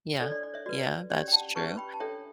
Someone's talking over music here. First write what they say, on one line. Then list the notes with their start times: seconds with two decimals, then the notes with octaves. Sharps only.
Yeah. Yeah, that's true.
0.20 D4 A4 C#5 D5
0.32 D5
0.43 D5
0.54 C#5 E5
0.66 F#4 B4 D5
1.10 C#4 G4 C#5 D5
1.28 G5
1.32 F#5 A5
1.55 C#4 G4 B4 A5 C#6
1.77 G5 B5
1.93 A5
2.00 D4 A4 C#5 E5 G5